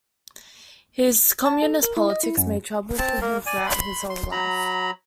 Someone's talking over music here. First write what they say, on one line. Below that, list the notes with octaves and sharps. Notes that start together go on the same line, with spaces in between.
His communist politics made trouble for him throughout his whole life.
A5
A4
A#4
E4
D#5
E4
F#2
C4 A5
A#3 A#4
D5 G#5
B5 C6
C6
F#3 A#5 B5